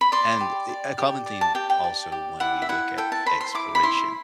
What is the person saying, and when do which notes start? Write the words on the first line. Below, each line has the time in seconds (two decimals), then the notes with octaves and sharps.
and, eh, a common theme also when we look at exploration
0.01 B5
0.12 D5 C6
0.41 G4
0.69 D5
0.98 G4
1.26 D5
1.41 A5
1.55 G4 G5
1.70 G5
1.84 D5
2.12 G4
2.40 E4 F#5
2.62 E5
2.69 E4 F#5
2.98 A4 G5
3.12 A5
3.26 C5 B5
3.41 C6
3.54 E4 D6
3.75 B5
3.83 E4 C6